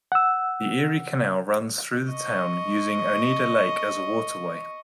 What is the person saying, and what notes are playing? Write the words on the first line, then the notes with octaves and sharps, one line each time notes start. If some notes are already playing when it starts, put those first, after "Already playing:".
The Erie Canal, runs through the town, using Oneida Lake as a waterway.
F#5 E6
D#5 C#6